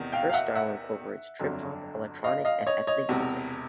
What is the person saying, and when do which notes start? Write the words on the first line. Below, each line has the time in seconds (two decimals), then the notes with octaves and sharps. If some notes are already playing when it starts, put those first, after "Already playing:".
Her style incorporates trip hop, electronic and ethnic music.
Already playing: E2 C3 D#3
0.12 F5 G5
0.29 F5
0.33 E5 F#5
0.55 E5 F#5
1.40 G1 F2 D3 F#3
2.24 D#5 F5
2.45 D#5 F5
2.67 C#5 D#5
2.87 C#5 D#5
3.09 E1 E2 C3